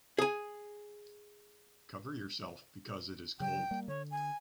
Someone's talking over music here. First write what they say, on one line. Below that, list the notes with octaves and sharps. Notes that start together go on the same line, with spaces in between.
Cover yourself because it is cold.
G#4 G#5
C#3 F#3 G3 G5
G3 A#3
D3 C#5
G#5